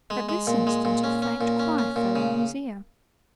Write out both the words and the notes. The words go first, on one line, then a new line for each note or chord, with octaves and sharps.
At this instant a faint cry fell on his ear.
G#3
G#3
A#2
G#3
A#2
C#4
C#4
A#2
C#4
C#4
A#2
C#3